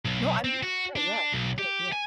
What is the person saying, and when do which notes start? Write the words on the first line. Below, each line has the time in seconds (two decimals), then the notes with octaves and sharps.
No. I'm with you there, yeah. That's a good idea.
0.05 B1
0.44 C4
0.63 F#4
0.96 D4
1.32 B1
1.58 G4
1.93 G#5